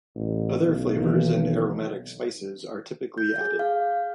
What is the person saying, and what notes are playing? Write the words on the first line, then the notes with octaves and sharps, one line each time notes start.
Other flavors and aromatic spices are typically added.
A1
B1
D#3 E3 A#3
G6
G#4
F5